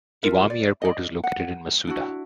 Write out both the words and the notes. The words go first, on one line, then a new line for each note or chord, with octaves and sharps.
Iwami Airport is located in Masuda.
F4 A#4 E5
D5
D5 D#5
F#5
D4 E4 F#4